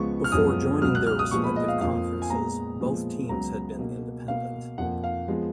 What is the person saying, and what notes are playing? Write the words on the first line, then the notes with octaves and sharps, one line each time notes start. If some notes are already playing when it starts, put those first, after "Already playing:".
Before joining their respective conferences, both teams had been independent.
Already playing: C#2 C#3 F3 G#3 B3 C#6
F6
F#2 F3 G#3 B3 D#6
C#2 B2 F#3 F6
F#6
F6
D#6
A#2 F3 G#3 B3 C#6
B5
D#5
F5
F2 F3 A#3 F5
G#5
A#2 G#3 B3 A#5
A#2 F3 G#3 B3
C#2 C#3 F#3 B3 A#5
B2 A#3
B2 A#3 F5
F2 F3 A#3 F#5
F5
F3 G#3 B3